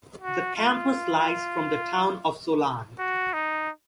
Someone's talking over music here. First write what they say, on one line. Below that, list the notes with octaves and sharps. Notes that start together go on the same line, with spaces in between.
The campus lies from the town of Solan.
F#4
F4
F#4
D#4